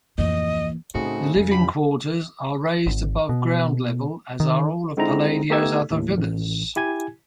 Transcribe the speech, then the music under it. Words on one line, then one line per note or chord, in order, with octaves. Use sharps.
The living quarters are raised above ground-level, as are all of Palladio's other villas.
D1 F2 E3 A#3 D#5
A2 C#3 A3 C4 D#4 F#4
F2
D4 F4 G4 B5
G#1
B2
D#3
D3 G#3 C4 D#4 E4 A#5
A3 B3 D#4 G4 E6 G#6
D#2 A2
A1
E4 G4 G#5 G#6